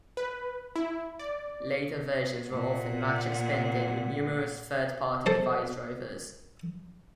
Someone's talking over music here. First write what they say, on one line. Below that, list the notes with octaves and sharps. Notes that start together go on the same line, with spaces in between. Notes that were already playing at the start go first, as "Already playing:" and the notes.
Later versions were often much expanded with numerous third-party device drivers.
B4
E4
D5
A#2 F#5
A4 C5